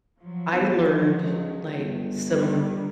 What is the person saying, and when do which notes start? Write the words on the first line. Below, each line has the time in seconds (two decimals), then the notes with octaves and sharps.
I learned, like, some
0.19 F3 F#3
0.53 B1
0.85 D3
1.23 C#2
1.79 G1
2.28 D#3 G3